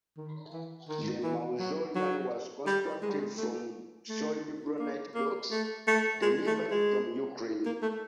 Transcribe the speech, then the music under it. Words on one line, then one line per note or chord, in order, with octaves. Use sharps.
The mausoleum was constructed from solid granite blocks, delivered from the Ukraine.
D#3
E3
D#3
E3
F#3
F#3
G3
G#3
G3
G#3
A3
A3
A#3
A#3
A3
A3
G#3
A3
G#3
A#3
A3